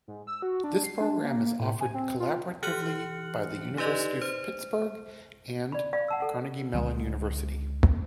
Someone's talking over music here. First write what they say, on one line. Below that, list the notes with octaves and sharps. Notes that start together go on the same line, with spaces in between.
This program is offered collaboratively by the University of Pittsburgh and Carnegie Mellon University.
G#2
E6
F#4
D4
C7
D4
A#3
A2
G#5
C4
F4
E3 G4 F6 F#6 C#7 F#7
D#4 G4 B4 D5 D#5
C5
D5 B5
D5 F5 B5
F#5 A5 E6
A4 F#5
C#2 D3 F#3 G#3